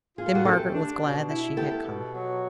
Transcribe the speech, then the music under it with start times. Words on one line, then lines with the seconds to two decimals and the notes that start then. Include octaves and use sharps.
Then Margaret was glad that she had come.
0.18 F4 G#4
0.26 A4
0.35 F#4 G#4
0.45 A3 G4 A4
0.74 D4
1.02 B2
1.29 E4
1.57 B3 G4 A4
1.85 B2
2.13 F#3